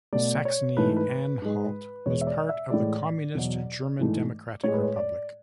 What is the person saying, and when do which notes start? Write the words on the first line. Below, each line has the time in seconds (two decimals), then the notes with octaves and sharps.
Saxony-Anhalt was part of the communist German Democratic Republic.
0.13 B2 A3 D5
0.45 C#5
0.77 G#2 E3 A3 B4
0.97 B4
1.42 G#2 G#3
2.06 E2 B2 G#3 C#5
2.21 E5
2.27 D5
2.49 E5
2.70 A2 E3 G#3 D5
3.35 E2 B2 F#3
3.99 G#2 E3 A3
4.63 A2 G#3 C#5
4.74 B4
4.83 C#5
4.96 D5